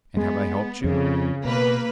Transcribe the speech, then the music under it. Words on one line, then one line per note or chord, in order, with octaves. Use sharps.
"And have I helped you?"
G#3 B3
F2 C#3
B2 A#3 B4